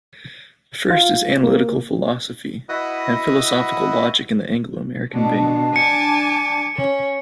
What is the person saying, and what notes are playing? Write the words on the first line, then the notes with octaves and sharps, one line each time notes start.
The first is analytic philosophy and philosophical logic in the Anglo-American vein.
F4
A#3
E4 F#4 B4 D#5 F#5 D#6
B2 D4
G#5 A5 D6 C#7
C#4